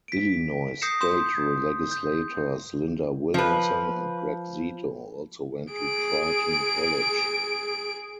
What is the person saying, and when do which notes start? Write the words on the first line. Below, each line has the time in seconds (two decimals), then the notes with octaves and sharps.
Illinois state legislators Linda Williamson and Greg Zito also went to Triton College.
0.08 B6 D7
0.82 D#6 G6 A#6 C7 C#7 E7
1.01 C6 D#6 G6 E7
1.92 G6
3.34 F3 B4
5.73 G#4 D7